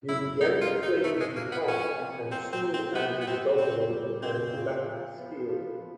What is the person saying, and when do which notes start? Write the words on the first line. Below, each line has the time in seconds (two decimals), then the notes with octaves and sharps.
He began playing guitar and soon added dobro and lap steel.
0.08 F#2 E4
0.40 F#2 D#4
0.61 F4
0.72 D#3
0.83 D#4
1.04 C3 A3
1.20 G#3
1.36 F3 A#3
1.52 B3
1.68 F3 C#4
2.00 C3
2.31 A#3 C4
2.53 C4
2.63 A#2
2.74 C4
2.95 F#3 B3
3.21 B3
3.27 F#3 C4
3.58 C#3 C4
3.90 G3
4.22 C#3 C4
4.54 C#3
4.86 F3
5.18 B3
5.49 F3
5.81 F3